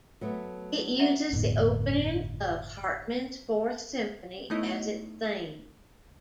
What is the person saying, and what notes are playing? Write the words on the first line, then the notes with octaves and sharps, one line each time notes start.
It uses the opening of Hartmann's Fourth Symphony as its theme.
F#3 A3 B3
C#4 E5 F#5
G1 F2 A2 B3
A3 B3 D#4 E4 C#5 D#5